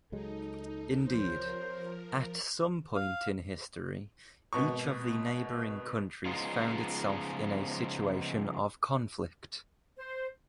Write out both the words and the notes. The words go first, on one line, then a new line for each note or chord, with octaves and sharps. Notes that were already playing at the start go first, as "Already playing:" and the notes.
Indeed, at some point in history, each of the neighboring countries found itself in a situation of conflict.
C#2 F#3 G#3 D#4 A4
F3 C4 G4 A#4 C5 C#5
F5
G#1 B2 C#6
C#3 F3 G#3 B3 D#4 F4
C5